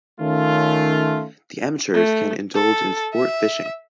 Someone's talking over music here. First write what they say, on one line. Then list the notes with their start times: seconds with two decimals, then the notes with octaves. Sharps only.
The amateurs can indulge in sport fishing.
0.21 D#3 A3 C#4 F4
1.94 A3
2.54 A4
3.13 E5